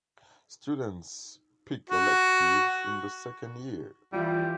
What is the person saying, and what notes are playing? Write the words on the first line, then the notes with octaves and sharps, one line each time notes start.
Students pick electives in the second year.
F#4
E3 G3 E4 F4 E5